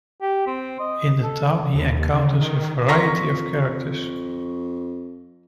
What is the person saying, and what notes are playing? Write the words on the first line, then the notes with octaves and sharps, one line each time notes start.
In the town he encounters a variety of characters.
G4
C4
D#5
A4
D#2
C#3
D#3
F2 F4 A#4 C6 C#6 A#6 B6